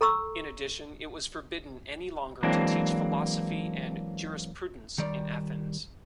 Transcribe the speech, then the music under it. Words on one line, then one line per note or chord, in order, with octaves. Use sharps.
In addition, it was forbidden any longer to teach philosophy and jurisprudence in Athens.
A4 A#5 C#6 E6
E3 F#3 G#3 A#3 C4 D4
D#3 G3 D5